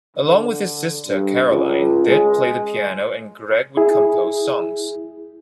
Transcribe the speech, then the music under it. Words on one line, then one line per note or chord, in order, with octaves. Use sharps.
Along with his sister, Caroline, they'd play the piano and Gregg would compose songs.
D3
G2
C#2
G#3
E4 G#4